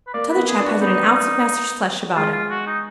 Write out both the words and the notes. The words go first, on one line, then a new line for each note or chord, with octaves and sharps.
T'other chap hasn't an ounce of measter's flesh about him.
B4
A#3 D5
B4
B3
G#4
D4
F#4
B3 D#4
G#3 F4
F4
F#4
D#4